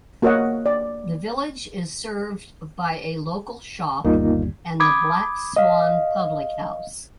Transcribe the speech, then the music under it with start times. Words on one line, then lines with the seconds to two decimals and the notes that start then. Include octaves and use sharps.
The village is served by a local shop and the Black Swan public house.
0.22 A#3 F#4 A#4 C#5 D#5 F#5
0.66 D5
4.05 G1 D#2 G3 A#3 D#4 F4
4.80 B5 D6 D#6 G#6
5.56 D#5 F5